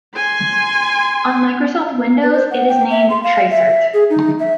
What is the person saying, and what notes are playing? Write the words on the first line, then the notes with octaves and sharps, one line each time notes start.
On Microsoft Windows, it is named "tracert".
G#5 C6
B4
C5
F#5
G5
E5
C6
F5
E5
G#4
D#4
E5